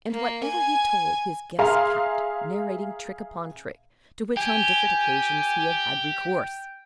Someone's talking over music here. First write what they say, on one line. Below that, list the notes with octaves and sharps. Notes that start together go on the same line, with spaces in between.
And whatever he told, his guest capped, narrating trick upon trick to which on different occasions he had had recourse.
A#3
G#5
G#4 E5 F5 A#5 C6 F6
G4 G5 G#5